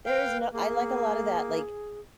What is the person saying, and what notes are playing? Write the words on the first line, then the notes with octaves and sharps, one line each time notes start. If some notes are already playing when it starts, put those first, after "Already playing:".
there is no I like a lot of that, like,
B4 F5 G5
A#3 G#4